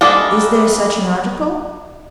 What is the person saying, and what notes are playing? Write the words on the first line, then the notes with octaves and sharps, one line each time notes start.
Is there such an article?
G3 G#3 A#3 D4 A4